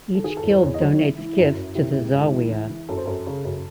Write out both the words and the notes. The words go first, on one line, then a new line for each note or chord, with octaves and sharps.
Each guild donates gifts to the zawiya.
A4
D#3 G#4
A4
E2
C5
E2 C#5
D#5
F#3 C#5
E3 E4
E3
F#2
F#2
C3 E4
C#2 E4
C#2
E3
E3
E3
F#2 A4
C5
F#2 A4
C#3
F#2